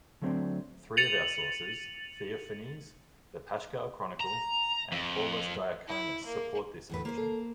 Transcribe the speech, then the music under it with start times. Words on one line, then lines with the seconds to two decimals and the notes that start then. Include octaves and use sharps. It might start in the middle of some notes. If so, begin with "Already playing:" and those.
Three of our sources -- Theophanes, the "Paschal Chronicle", and Paullus Diaconus-support this version.
0.22 D3 F#3 A3 C4 D4 C5
0.97 A6 C#7 D#7 F7 F#7
4.21 A#5
4.92 F2
5.87 E4
6.25 A#3
6.89 E2 A2 B4
7.05 A#3 C5
7.18 A4